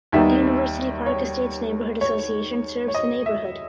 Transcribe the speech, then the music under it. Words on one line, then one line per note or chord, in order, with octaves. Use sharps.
The University Park Estates Neighborhood Association serves the neighborhood.
D#2 D#3 G3 B3 D#4 E5
C#5
C#5
C#5
D#5
E5